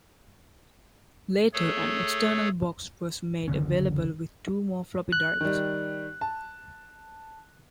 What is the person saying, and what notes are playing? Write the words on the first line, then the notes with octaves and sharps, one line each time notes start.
Later an external box was made available with two more floppy drives.
A3 G#4 A4 C#5
F#1 D2 D3 C#4
F#6
D#3 G3
A5